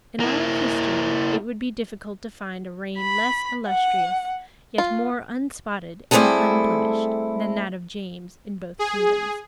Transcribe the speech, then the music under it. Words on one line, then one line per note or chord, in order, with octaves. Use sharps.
In all history, it would be difficult to find a reign less illustrious, yet more unspotted and unblemished, than that of James in both kingdoms.
A#3 E4
B5
F#5
F4
G3 A3 C4 E4 G#4 A4
G#4